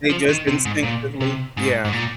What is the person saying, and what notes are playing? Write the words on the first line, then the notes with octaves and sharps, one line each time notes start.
They just instinctively yeah,
F3
D#3
C3
G#2
A#2
C3
G#2
G#2
A#2